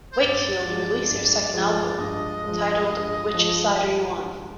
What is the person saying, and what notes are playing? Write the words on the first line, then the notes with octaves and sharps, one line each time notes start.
Wakefield released their second album, titled Which Side Are You On?
C5
G2 D5
F3 G#3
G2
F3 G#3
G2 D#5
F3 G#3
G2
F3 G#3